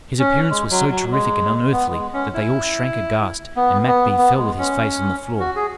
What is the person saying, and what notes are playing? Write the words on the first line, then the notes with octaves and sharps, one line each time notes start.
His appearance was so terrific and unearthly that they all shrank aghast, and Mat Bee fell with his face on the floor.
C#4
G#3
F#3
F#3
G#3
B3
G#3
C#4
E4
B3
B3
B3
G#3
C#4
F#4
G#4